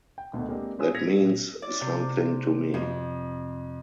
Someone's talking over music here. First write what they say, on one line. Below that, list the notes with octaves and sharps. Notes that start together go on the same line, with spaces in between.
That means something to me.
G5
D2 B2 D#3 A3
G#3 A#3 C4 D4 G4
F4 B4 C#5 G#5 D#6 E6
E6 G#6 A#6 B6 C#7 F7
A#1
D5
C3
F2